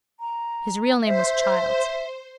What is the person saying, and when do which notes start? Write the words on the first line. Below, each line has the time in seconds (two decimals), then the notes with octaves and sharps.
His real name was Childs.
0.20 A#5
1.05 C5 E5